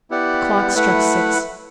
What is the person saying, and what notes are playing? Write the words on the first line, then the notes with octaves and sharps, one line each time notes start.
The clock struck six.
B3 E4 G4 D5 F#5
A3 E4 B4 F#5